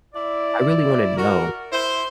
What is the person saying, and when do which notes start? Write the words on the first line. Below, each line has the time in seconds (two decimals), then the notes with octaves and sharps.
I really wanna know,
0.15 E4 D5
1.17 F#4 A#4
1.73 E4 C5